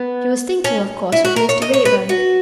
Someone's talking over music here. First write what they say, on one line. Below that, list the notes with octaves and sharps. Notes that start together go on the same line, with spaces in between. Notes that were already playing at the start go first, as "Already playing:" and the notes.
She was thinking, of course, of Mr. Raeburn.
Already playing: B3
C#4
E4
F#4
A#4
C#5
D#5
C#5
B4
F#4